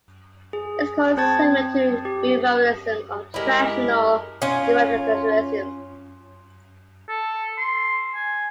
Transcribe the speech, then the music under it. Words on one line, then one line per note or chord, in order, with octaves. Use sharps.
It is also similar to the revivalism of traditional Evangelicalism.
G#4
C4 C5 A5 G#6 A6
G4
G#3 E4 G4 A#4
C#4 F4
A4
C6
G#5